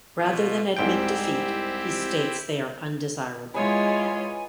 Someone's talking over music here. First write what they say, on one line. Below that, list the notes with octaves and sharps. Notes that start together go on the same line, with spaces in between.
Rather than admit defeat, he states they are undesirable.
B2 F4
C2 G#2 C4 E4 G4 G5
G#3 E4 F4 B4 C#5 D#5 G#5